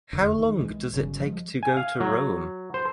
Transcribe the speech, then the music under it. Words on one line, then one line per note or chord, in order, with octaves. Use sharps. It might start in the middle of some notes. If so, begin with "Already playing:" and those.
How long does it take to go to Rome?
F1 E2 D3
D#3
B1 E3 G#3
G1 C#3 F#3
F3 F#3 G#3
G#5
F5
F#3
C5